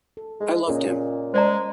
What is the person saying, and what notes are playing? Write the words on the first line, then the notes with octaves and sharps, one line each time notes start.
I loved him.
A4
G#3
A#2 A#3 C#4 D#5
G#3 C5 D5 A#5